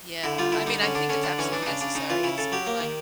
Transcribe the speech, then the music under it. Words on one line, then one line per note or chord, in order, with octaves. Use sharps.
Yeah, I mean, I think it's absolutely necessary it's more like,
D3 E4
G3 F4
D3 E4
G3 D#4
D3 C#4
D3 D4
D3 C#4
D3 D4
E3 C#4
E3 D4
D#4
C#3 D4
C#3 D4
C#3 D#4
E3 F4
C#3 E4
C#3 A4
F#3 G4
A#3
D#3